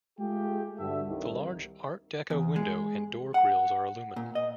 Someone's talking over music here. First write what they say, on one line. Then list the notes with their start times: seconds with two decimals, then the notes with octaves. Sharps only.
The large Art Deco window and door grilles are aluminum.
0.19 G#3 A3 F4 G4 G#4 G5
0.78 G2 D3 F#4 A4 E5
1.08 C2 D#3
2.30 E2
2.56 G#3
3.34 F#5
4.16 A#2
4.35 D#5